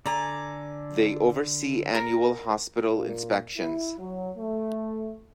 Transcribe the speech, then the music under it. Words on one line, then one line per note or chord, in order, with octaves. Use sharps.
They oversee annual hospital inspections.
D3 A4 D5 G#5 A#5
A#4
A#2
E4
F#3
A3